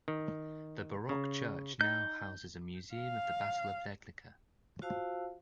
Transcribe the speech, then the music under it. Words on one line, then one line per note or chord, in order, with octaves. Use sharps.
The Baroque church now houses a museum of the Battle of Legnica.
D#3
C#3
D#4 G6
F5
F4 F#4 C5 F5 A5 E6